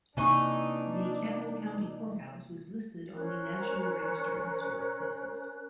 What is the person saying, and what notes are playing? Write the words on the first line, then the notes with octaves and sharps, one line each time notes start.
The Campbell County Courthouse was listed on the National Register of Historic Places.
C3 E3 A#3 D4 D#4 G#5 C#6
C#4 A#4 C5 F#6